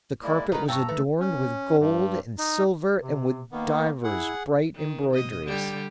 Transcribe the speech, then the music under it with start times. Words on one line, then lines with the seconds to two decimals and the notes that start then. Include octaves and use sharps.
The carpet was adorned with gold and silver and with divers bright embroiderings.
0.23 G#3 A#3 E4 D5
0.52 D#3 D#4 B4 A#5
0.68 G2 G5 A5 A#5 C#6 E6
0.89 D#3 A3 B4
1.20 C#4
1.79 G2
2.39 D#4
3.03 C3
3.52 D#3 A#3 B3
4.04 E4 G#4 F#5
4.75 D#3
5.14 B2 D#5
5.45 D3 G3 G4